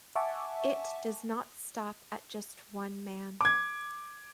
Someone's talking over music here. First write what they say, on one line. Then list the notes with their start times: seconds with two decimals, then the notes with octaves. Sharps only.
It does not stop at just one man.
0.16 E5 F#5 G#5 A5 C#6 D6
3.41 D6 G#6